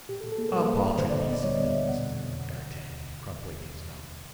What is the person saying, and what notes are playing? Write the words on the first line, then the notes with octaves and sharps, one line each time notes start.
"A paltry piece of business!" murmured D'Artagnan crumpling his note.
A#2 G4
A4
A#2
A4
A#3 G#4
A#4
G3 A4
A#2
B4
A#2
D3 C5
D5
D3
D#5
B3 D5
G3 C#5
D#5
D3
E5
D3
B2 F#5
B2